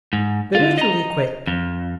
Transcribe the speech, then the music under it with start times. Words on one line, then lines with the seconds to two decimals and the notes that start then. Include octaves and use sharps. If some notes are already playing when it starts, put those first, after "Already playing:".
Spiritually quick.
0.13 G#2
0.55 D3 F4
0.78 D#5 A#5
1.47 F2